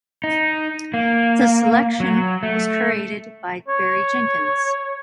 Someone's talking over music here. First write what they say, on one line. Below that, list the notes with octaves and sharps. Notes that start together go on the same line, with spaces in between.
The selection was curated by Barry Jenkins.
D#4
A#3
F#3
A3
C#5